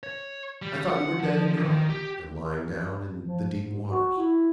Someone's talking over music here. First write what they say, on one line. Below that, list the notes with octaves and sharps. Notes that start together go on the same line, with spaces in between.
'I thought you were dead and gone, and lying down in the deep waters.
C#5
G3
F#5
F3
D#3
G4
F3
G#2
F#4
E4